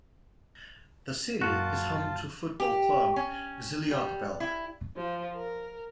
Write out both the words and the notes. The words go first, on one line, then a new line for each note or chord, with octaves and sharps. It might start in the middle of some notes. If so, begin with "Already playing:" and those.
The city is home to football club Xilotepelt.
F#2 A#2 F4 F#4 A5
G4
C#4
G3
E4
F3
A#4